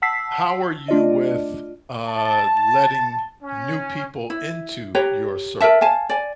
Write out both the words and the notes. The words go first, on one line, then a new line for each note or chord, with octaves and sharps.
how are you with, uh, letting new people into your circle?
F#5 A5 E6 B6 C7
A3 D4 F4 D5 D#5
A5
C#4
E4
G4 B4 C#5 A#5
A#4 B4 E5 A5
F5 G#5 A5
D5 G#5